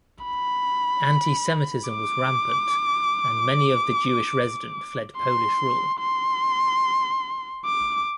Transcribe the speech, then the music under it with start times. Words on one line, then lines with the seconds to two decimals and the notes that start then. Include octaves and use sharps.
Anti-Semitism was rampant, and many of the Jewish resident fled Polish rule.
0.24 B5
1.89 D6
5.18 C6
6.00 C6
7.65 D6